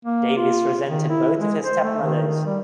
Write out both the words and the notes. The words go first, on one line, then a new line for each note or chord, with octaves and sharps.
Davis resented both of his stepmothers.
A#3
F4
D#3
E4
G#3
C5
A3
D#3
D#3
G3